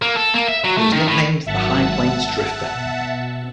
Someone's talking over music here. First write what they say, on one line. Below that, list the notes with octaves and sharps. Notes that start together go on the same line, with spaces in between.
He was nicknamed the "High Plains Drifter".
A#3
A4
A#3
E5
F#3
A3
D#3
A2
G#1 F#3 E5 F#5 A5
B2